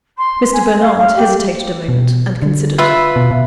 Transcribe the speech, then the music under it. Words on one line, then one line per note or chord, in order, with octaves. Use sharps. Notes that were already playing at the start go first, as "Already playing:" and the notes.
Mr. Bernard hesitated a moment, and considered.
C6
G#5
F5
F5
G4
B2
D3
F4 B4 E5
B2
B2